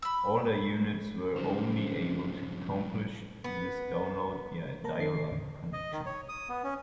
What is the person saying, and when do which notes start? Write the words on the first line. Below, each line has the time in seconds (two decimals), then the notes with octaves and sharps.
Older units were only able to accomplish this download via a dial-up connection.
0.02 B5 E6
1.36 G2 C#3 F3 F#3 D#4 C5
3.44 B3
4.84 A#3 A#4 A5 A#5
5.00 D#3 D#5 C7
5.31 E2 A2 D3
5.73 D#5
5.92 D#3
6.06 C#5
6.29 D#6
6.49 B3
6.64 C#4